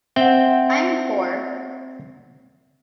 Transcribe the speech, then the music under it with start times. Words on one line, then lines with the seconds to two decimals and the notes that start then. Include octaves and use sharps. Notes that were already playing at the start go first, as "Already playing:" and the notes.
I’m poor.
0.16 C4 E5 F#5 G5